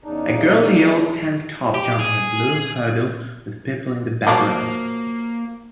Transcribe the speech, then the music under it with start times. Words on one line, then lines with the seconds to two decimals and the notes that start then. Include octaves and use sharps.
A girl in a yellow tank top jumping a blue hurdle with people in the background.
0.04 E2 C#3 D4 D#4
1.74 G4
1.99 G#4
4.27 F3 F#3 A#3 D4